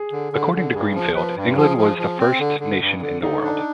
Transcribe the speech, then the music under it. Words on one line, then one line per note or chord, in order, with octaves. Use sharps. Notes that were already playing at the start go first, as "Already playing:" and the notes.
According to Greenfeld, England was "the first nation in the world".
Already playing: G#4
D3
D3
D3
G2 G#4
F3
F3 B4
G2
F3 G#4
F3
F3
C4
D3
D3
G2
D3
D3 D#4
D4